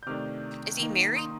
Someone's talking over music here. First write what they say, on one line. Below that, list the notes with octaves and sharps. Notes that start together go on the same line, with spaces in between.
Is he married?
G6
C3 D#3 A3 D4 D6 F6
D#3 A#3 D#4
C6 D#6